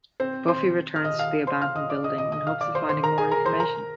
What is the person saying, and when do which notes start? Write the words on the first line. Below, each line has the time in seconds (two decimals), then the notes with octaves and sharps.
Buffy returns to the abandoned building in hopes of finding more information.
0.20 C4 C5
0.48 C5 C6
0.96 F6
1.04 D#5 D#6
1.19 F5 F6
1.47 C5 C6
1.61 F5 F6
1.76 D#5 D#6
1.90 D5 D6
2.04 D#5 D#6
2.18 D#5 D#6
2.32 D#5 D#6
2.47 F5 F6
2.61 D5 D6
2.75 C5 C6
2.89 C5 C6
3.03 A#4 A#5
3.18 G#4 G#5
3.31 A#4 A#5
3.46 C5 C6
3.60 A#4 A#5